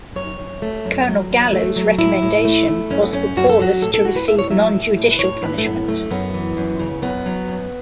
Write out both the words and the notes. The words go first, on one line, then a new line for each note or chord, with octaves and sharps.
Colonel Gallo's recommendation was for Paulus to receive non-judicial punishment.
F#2 C#5
F#2
A3
F#2
F#3
E2
A3
F#3
A2 E4
A2
A3
A3
F#2 C#4
B3
F#2 C#4
F#2 F#4
A4
F#3 F#4
A2 A4
A4
A2 F#4
B4
A2 E5
C#5
F#3 E5
A2
A2
B4
A2 C#5
A2 B4
A3
F#2 B3
F#2 A3
F#2 B3
E3
F#2
C#3
F#2 B3
F#3
F#2